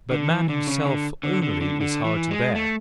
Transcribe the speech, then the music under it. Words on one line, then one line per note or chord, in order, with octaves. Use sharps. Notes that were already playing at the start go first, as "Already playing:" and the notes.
But man himself only is hard to bear!
D3
E3
D3
C#3
D3
D3
D3
D3
D3
E3
G#3
A3